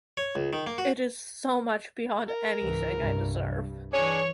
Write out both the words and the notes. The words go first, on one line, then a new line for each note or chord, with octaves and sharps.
It is so much beyond any thing I deserve.
C#5
C#2
D#3
A#3
F#4
A#4
C#2 G#2 E3
C2 G2
E3 D4 G#4 C#5 G#5